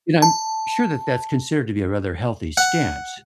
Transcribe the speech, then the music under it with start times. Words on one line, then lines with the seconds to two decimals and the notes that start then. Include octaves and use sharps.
and I'm sure that that's considered to be a rather healthy stance,
0.22 A5
2.57 F#5